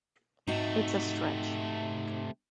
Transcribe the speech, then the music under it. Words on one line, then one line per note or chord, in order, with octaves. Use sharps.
It's a stretch.
G#2 C3 A3 D#4 F#4